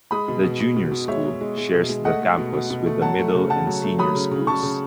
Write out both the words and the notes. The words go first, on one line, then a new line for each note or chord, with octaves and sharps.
The Junior School, shares the campus with the Middle and Senior schools.
G#3 B5 D#6
B2
B2
B2
B2
B2
G#3 C#5 E5
G#3
G#3
G#3
B2
G#3
A3 D#5 F#5
A3
B2
B2
B2
A3
F#3 F#5 A5
A3
C#3
C#3 F#5 A5
F#3
A3
F#3 B5 D#6
C#3
C#3
C#3 A5 C#6
C#3